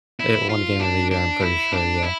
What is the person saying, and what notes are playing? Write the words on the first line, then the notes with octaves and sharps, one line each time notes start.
It won Game of the Year, I'm pretty sure, yeah.
E4
F4
D4
D4
E4
D4
E4